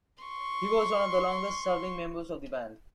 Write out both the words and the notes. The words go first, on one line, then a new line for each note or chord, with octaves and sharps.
He was one of the longest serving members of the band.
C6 C#6